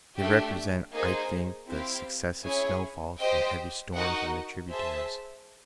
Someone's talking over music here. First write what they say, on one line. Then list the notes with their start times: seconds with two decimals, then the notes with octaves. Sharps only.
They represent, I think, the successive snowfalls from heavy storms on the tributaries.
0.17 A3 D4 G4
0.92 A#3 D#4 G#4 C5
1.68 C4 E4 G4 C5 F5
2.43 C#4 E4 G#4 C#5
3.18 G4 C5 D#5 G5
3.94 D#4 F#4 A#4 D#5 F#5
4.69 G#4 C5 E5 A5